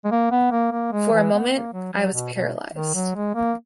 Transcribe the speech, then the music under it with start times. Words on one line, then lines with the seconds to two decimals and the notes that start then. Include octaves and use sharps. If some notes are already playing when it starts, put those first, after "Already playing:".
For a moment I was paralysed.
0.05 G#3
0.11 A#3
0.31 B3
0.51 A#3
0.72 A#3
0.92 G#3
1.12 E3
1.32 B3
1.53 A#3
1.73 F#3
1.93 F#3
2.13 B2
2.34 B2
2.74 D#3
2.94 F#3
3.15 G#3
3.35 A#3